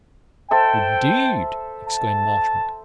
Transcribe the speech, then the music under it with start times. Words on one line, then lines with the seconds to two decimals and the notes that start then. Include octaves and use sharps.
"Indeed!" exclaimed Marchmont.
0.51 A4 C5 E5 G5
1.88 A5